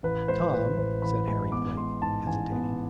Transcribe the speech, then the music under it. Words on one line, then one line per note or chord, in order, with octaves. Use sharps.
"Tom," said Harry Blake, hesitating.
A1 B4
G#3 C5
A2 B4
A1 C5
A1 B5
G#3 B5
B3 D6
G#3 C6
G#2 A5
A1 G#5
B3